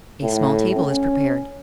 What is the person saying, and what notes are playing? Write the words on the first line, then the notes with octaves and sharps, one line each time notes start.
A small table is prepared.
A2
C#4